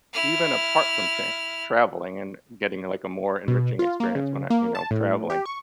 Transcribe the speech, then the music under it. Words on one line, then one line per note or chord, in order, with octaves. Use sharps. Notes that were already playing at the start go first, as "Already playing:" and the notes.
even apart from che traveling and getting, like, a more enriching experience when I you know, traveling
E4 F6
B2
F4
A#3
C#3
A#3
A5
A2
G4
C#6